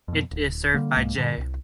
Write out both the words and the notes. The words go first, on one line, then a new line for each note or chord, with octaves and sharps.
It is served by J.
F2 B2
D1
D3 G3 A#3
C2 G#2 G#3 A#3
G2 A#2 D3
C2